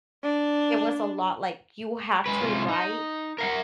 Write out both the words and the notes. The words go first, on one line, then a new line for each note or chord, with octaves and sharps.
it was a lot, like, you had to write
D4
G#3 B4
C3 G#3 F4
D#4
A#4 F5 F#5